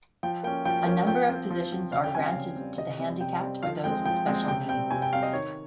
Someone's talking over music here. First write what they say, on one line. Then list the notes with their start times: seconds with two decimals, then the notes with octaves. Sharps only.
A number of positions are granted to the handicapped or those with special needs.
0.23 F3 G5
0.43 A#3 G5
0.47 C#4
0.65 F3 G5
0.86 A#3 C#4 G5
1.07 F3 G5
1.29 C4
1.50 F3
1.72 C4
1.92 C#3 F5
2.04 G5
2.14 G3 G#5
2.17 C4
2.25 F5
2.36 C#3
2.56 G3 C4
2.78 C3 D#5
2.99 G3 C4
3.21 C3 G5
3.41 G3 C4
3.63 F3 F5
3.84 G#3 C4 G5
4.05 F3 G5
4.27 G#3 C4
4.48 C3 G5
4.69 G3 C4 G5
4.91 C3 G#5
5.02 G5
5.12 G3 F5
5.16 C4
5.23 D#5
5.33 D#3 C#5